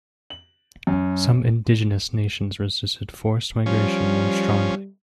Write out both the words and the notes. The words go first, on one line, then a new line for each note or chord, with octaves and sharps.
Some indigenous nations resisted forced migration more strongly.
F#7
F#2
F3 G3 C#4